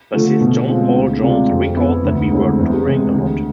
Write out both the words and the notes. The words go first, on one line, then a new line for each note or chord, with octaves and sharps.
Bassist John Paul Jones recalled that We were touring a lot.
D3 F3 A3
B2
G#3 C4 F4
D2
C3 G#3 D4 F4
F2
E3 B3 E4
D2
D3 G#3 C4 E4
E2
C3 G#3
D2